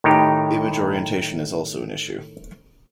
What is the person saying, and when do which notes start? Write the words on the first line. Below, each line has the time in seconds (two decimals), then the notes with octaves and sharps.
Image orientation is also an issue.
0.04 A2 D#3 D#4 G4